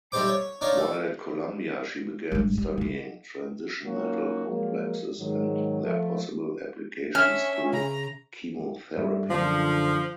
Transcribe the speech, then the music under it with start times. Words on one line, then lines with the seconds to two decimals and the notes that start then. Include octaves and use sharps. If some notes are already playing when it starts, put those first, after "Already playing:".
While at Columbia she began studying transition-metal complexes and their possible applications to chemotherapy.
0.12 G3 A3 D#4 G4 C5 D6
0.28 C#5
0.61 D4 D#4 F4 C#5
0.77 A3
2.32 G#1 G2
2.58 G3
2.78 C#3 E4
3.86 F#3 A#3 C#4 D#4 F4 F#4
4.47 F3 F#3 G#3 A#3
5.19 G#2 D#3 F#3
5.83 F3 A3
7.15 C#4 E5 F6
7.73 C#3 A#5
8.98 G2 G3 A3
9.30 F#2 D3 F3 D4 F4